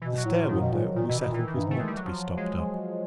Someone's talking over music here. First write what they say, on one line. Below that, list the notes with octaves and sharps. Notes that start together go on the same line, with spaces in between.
The stair window, we settled, was not to be stopped up.
B2 E3
F#3
A2
F3
A2 D#3
B2
A#2
A#2 D#3
B2 E3
B2 D#3
A#2 E3
D#3
G2
G#2 A3
G#3
G3
F#3
F3
G#3